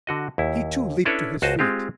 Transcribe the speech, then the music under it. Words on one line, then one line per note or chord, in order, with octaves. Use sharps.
He, too, leapt to his feet.
D3 F#4 D#5
D#2 E4
C#4 D4 E4 A4 B4 C#5
C#2 F#4 C5 D#5 A5
G#3 C4 F4 G4